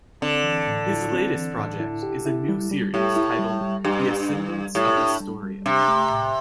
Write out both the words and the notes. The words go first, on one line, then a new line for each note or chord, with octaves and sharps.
His latest project is a new series titled "The Ascendants of Estorea".
D3 C4
E3
A2
E4
C4
E3
A2
E4
G4
E4
G3
G3
A2 G4
E4
G3
G3
G2 G4
D4
G3
G3
A2 G4
D4
G3
G3
C3 D4
A3
A2